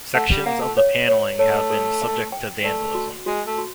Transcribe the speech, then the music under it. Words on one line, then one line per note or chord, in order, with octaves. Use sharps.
Sections of the panelling have been subject to vandalism.
A3 F#5
G3
A#3 F#5
A3
C#5
C#5
A3 C#5
A4
E5
G5
A3 D5
F#4
G#3 F#4
A3
F#4